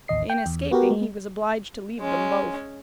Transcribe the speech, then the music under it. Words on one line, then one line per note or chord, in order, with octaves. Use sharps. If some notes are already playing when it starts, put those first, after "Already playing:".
In escaping, he was obliged to leave them both.
A1 D#2 D#5 C7
G5
E2
B3 F#4 G4 A#4
G#3
G#3 C#4